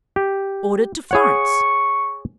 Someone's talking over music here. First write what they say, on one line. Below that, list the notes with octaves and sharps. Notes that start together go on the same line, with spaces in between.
Ordered to Florence.
G4
G#4 C#5 F#5 C#6